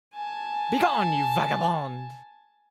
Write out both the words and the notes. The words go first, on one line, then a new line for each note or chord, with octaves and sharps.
Begone, you vagabond!
G#5 A5